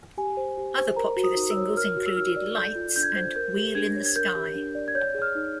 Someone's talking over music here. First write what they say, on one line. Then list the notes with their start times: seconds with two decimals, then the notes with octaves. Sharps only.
Other popular singles included "Lights" and "Wheel in the Sky".
0.18 G4 G#5
0.37 C5
0.58 G4
0.77 C5
0.96 A#4 A#5
1.16 F#4
1.24 D#6
1.37 D#4
1.50 E6
1.57 C#5
1.77 A#4 F6
1.97 F#4
2.06 E6
2.16 D#4 F6
2.36 D5
2.56 A4 G6
2.75 F4
2.96 D4 G6
3.03 G#6
3.10 G6
3.16 C5
3.36 A#4 G6
3.56 G4
3.75 D4 G#6
3.95 C#5
4.06 G#6
4.16 A#4 G6
4.35 G4
4.55 D4
4.75 D5
4.88 G#6
4.95 C#5 G6
5.14 G#4
5.22 F6
5.35 D#4